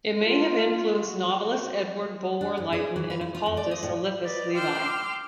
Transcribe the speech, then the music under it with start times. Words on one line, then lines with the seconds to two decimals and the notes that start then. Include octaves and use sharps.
It may have influenced novelist Edward Bulwer-Lytton and occultist Eliphas Levi.
0.22 F4
1.03 F#4
1.35 F#4
2.41 D4
2.57 G2
2.73 G#4
2.96 E3
3.10 B4
3.21 E4
3.35 F4
3.46 F2
3.57 D5
3.71 D#5
3.83 A2
4.21 B4 D5 D#5
4.55 G5 C6 D6 E6 F6 G6